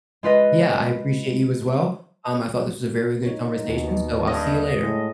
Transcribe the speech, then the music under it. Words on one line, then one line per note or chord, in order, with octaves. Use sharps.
Yeah, I appreciate you as well, um, I thought this was a very good conversation, so I'll see you later.
G#3 F4 B4 D#5
D#4 C#5
D#2 B2 D#3 A#3
G2 D#5
A2 G#3